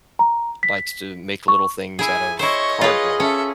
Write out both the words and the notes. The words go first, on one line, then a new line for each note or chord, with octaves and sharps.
likes to make little things out of cardboard
A#5
B6
C#6
E4 G#4 G#5
E4 C5 C#5 D#5 C#6
F4 G#4 B4
C#4 A4 E5